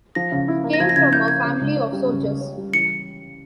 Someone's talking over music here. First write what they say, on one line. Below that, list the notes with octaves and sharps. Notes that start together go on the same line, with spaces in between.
He came from a family of soldiers.
F3 A#6
C#3
E4
A#3
A#6
F3 G#6
A#6
C#3 G#6
E4 G6
A#3 G#6
C#3
C#2
C#4
G3
C#3
C#2
C#4
G3
E3 C#7